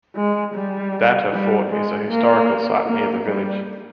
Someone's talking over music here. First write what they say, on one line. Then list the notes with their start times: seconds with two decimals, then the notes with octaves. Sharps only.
Danta Fort is a historical site near the village.
0.16 G#3
0.55 G3
1.32 G3
1.71 G#3
2.10 A#3
2.88 A#3
3.26 G3